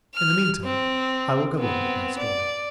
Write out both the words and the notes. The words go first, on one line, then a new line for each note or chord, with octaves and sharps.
In the meantime, I will go on with my story.
F6
C4
B3 C4
D5